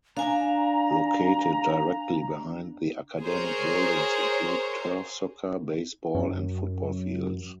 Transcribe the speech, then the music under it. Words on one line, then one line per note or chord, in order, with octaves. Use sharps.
Located directly behind the academic buildings include turf soccer, baseball and football fields.
D4 F5 G#5 A#5
G#4 A#4 C5 C#5
F#2